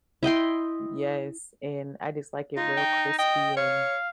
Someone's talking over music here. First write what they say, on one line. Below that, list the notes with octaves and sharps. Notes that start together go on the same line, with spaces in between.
N Yes, and I just like it real crispy, and
E4 D#5 G5 C6
D#4 F4
G5
D#5 G5
C#5 F5